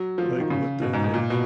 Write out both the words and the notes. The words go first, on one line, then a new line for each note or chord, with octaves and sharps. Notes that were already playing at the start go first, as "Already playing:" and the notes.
like, what the heck?
Already playing: F#3
F3
D#3
C#3
B2
G#2
G#2
A#2
B2